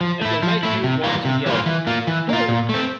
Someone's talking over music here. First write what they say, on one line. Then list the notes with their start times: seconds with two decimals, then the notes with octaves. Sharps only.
It'll make you want to yell 'Woooh!
0.01 F3
0.21 A3 E4
0.43 F3
0.63 A3 E4
0.84 C3
1.04 E3 G3 A#3 F4
1.25 C3
1.46 E3 G3 A#3 F4
1.66 E3
1.87 A#3 F4
2.07 E3
2.29 A#3 F4
2.48 A#2
2.69 A3 C4